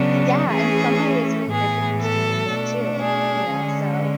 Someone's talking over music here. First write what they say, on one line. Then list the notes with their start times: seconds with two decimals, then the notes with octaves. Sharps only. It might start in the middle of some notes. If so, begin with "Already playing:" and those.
Yeah, and sunlight is really good for boosting your mood too, you know, so
Already playing: C#3 F#3 B3 D4
0.50 E3 A3 C#4 G#4
1.50 A2 E3 B3 G#4
2.00 A4
2.50 B2 A3 D4
3.00 G#4
3.51 D3 G#3 C#4